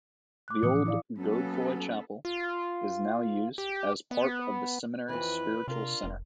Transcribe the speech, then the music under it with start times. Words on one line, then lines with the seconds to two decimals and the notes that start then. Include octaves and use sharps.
The old Godefroy Chapel is now used as part of the seminary's Spiritual Center.
0.48 D6 F#6
0.63 A2 E3 F3 D6 D#6 C#7
0.86 E4 D5 F5
1.17 F#3 A#3 B3 C#4 A4
2.25 F4
3.58 G4
4.11 B3
5.09 F2 E3 B4
5.68 C3 D4 F4 A#4
6.04 F1